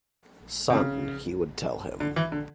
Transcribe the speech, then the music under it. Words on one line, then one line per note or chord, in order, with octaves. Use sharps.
"Son," he would tell him.
C3
C#3
D3
E3
D3